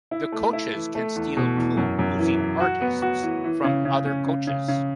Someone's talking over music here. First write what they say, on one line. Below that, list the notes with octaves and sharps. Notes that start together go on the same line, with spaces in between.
The coaches can steal two losing artist from other coaches.
E4
A3
E4
E3
A3
E2
B2
E2
F#2
F#2
E3
E3
F#4
B3
F#4
E3
E3
C#3
C#3
C#4
C#3
C#3
C#3